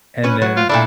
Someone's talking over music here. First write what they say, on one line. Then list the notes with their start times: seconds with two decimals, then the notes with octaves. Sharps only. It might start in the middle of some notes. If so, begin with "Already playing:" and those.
and then
0.24 C#4 B4
0.42 F#3
0.57 F4
0.69 A#2 A3 D4 E4